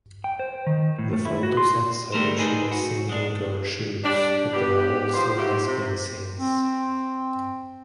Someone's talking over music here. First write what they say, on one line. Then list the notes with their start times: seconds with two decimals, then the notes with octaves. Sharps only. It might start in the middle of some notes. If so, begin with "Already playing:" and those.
The photosets are usually single-girl shoots but there are also lesbian scenes.
0.24 G5
0.39 C5
0.67 D#3
0.99 A2
1.13 A3
1.25 E4
1.43 F#4
1.57 C6
2.12 D3 G3 A3 A#4 C5
2.38 D#4 G#4 B4
2.71 F#4
3.09 G#3 D4
4.03 G3 D4
4.53 B3 G4
5.14 D#3 F3 C5
5.37 A#2 E4 F#4 G4
5.66 C3
6.39 C4